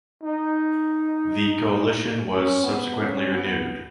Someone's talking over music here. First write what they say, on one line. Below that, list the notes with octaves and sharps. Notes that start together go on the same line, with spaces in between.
The coalition was subsequently renewed.
D#4
C#4
B3
C#4
B3